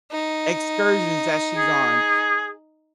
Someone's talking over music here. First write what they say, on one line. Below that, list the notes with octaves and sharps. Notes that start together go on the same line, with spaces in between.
excursions that she's on.
D#4
G#4